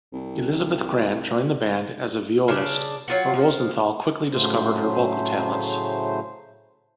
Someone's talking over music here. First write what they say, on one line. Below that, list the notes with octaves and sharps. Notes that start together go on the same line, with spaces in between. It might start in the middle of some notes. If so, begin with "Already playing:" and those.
Elysabeth Grant joined the band as violist, but Rosenthal quickly discovered her vocal talents.
C2
C#3 D4
F#3 F4 F#4
F3
A2 C#3 F#3 A3 C5